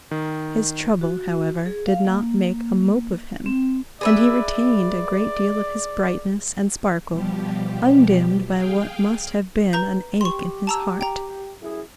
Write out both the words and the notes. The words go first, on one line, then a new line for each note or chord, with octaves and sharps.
His trouble, however, did not make a mope of him, and he retained a great deal of his brightness and sparkle undimmed by what must have been an ache in his heart.
D#3
F#4
G#4
F5
A#3
C4
G#4 B4 D5 E5
B2 F3 G3 G4
G#4 F5 G5
B4 A#5 G6
G4 C6 C#6
A5 A#5 E6
G5 A#5
F#2 E4 G#4